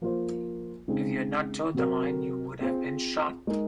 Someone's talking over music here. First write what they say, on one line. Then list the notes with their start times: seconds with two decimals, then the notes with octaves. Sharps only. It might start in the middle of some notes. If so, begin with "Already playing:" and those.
If you had not toed the line you would have been shot.
0.01 F3 A#3 F4 C5
0.88 C#3 G#3 C4 D#4 G#4
1.74 C3 F#3 C4 F#4 A#4
2.61 C4 F4 G#4 C5
3.47 G#3 D#4 A#4